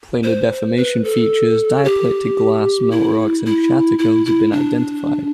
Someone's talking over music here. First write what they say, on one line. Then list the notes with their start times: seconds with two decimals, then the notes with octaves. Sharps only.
Planar deformation features, diaplectic glass, melt rocks, and shatter cones have been identified.
0.24 C5
0.77 B4
1.04 A4
1.84 G4
2.91 E4
3.46 E4
3.99 E4
4.26 E4
4.52 D4